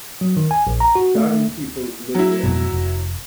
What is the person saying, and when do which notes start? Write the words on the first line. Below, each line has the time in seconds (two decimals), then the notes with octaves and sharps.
Dargin people live there.
0.21 F#3
0.37 D#3
0.51 G#5
0.67 A#1
0.80 A#5
0.95 F#4
1.15 A3
1.30 A3
2.15 F#3 E4
2.44 F2 G#2 B2
2.72 F1